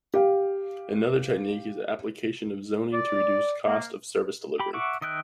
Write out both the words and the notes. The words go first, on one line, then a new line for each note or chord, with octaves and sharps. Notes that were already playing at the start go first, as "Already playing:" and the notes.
Another technique is application of zoning to reduce the cost of service delivery.
G4 F5
D5
A#3
G4 B5
E5 F#5 C#6 D6
D#3 D#5 E5 G5 F#6